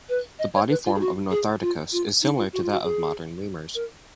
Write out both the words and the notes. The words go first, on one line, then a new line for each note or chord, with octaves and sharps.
The body form of "Notharctus" is similar to that of modern lemurs.
B4
D#5
C#5
B4
F4
G#4
F#4
G#4
F4
F4
D#4
F4
F#4
F4
F#4
G#4
A#4